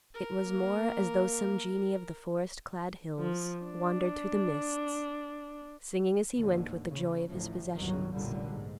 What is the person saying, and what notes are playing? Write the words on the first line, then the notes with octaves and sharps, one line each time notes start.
It was more as though some genie of the forest-clad hills wandered through the mists, singing as he went with the joy of his possessions.
A#4
A#3
F3
D4
D#2 A2 D3
C#3
A1 D2 A2 F3
G1 C2 G2 D#3 F#3
F1 B1 F#2 A#2 D3 G3
G#2